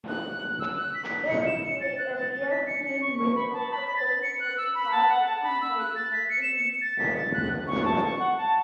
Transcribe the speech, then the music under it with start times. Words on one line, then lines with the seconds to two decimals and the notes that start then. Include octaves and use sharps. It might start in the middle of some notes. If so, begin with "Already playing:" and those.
There is liaison with local police forces whilst the convoy is en route.
0.08 F#6
0.60 E6
0.77 F#6
0.94 B6
1.29 C#7
1.46 E7
1.63 C#7
1.80 A6
1.98 F#6
2.16 A6
2.33 A6
2.50 B6
2.67 C#7
2.85 C#7
3.02 C#6
3.19 C#6
3.36 B5
3.53 A5
3.71 B5
3.87 B6
3.96 A6
4.23 C#7
4.40 F#6
4.57 E6
4.75 B5
4.92 A5
5.09 F#5
5.26 A5
5.43 B5
5.61 E6
5.79 F#6
5.95 A6
6.13 B6
6.30 C#7
6.43 E7
6.55 C#7
6.81 A6
6.98 B6
7.16 A6
7.33 F#6
7.67 C#6
7.85 A5
8.03 C#6
8.19 F#5
8.37 A5